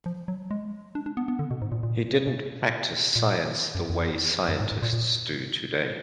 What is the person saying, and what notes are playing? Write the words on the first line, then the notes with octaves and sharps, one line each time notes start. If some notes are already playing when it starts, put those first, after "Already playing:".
He didn't practice science the way scientists do today.
F3
F#3
G#3
D4
D4
B3
B3
D3
B2
G#2
A#2
A#2
B2
A#2
F#2
F2
F#2
G#2
G#2
A#2
A#2